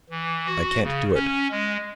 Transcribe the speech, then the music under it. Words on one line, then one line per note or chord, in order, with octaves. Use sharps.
I can't do it.
E3
F#4
C#3
C#4
G#3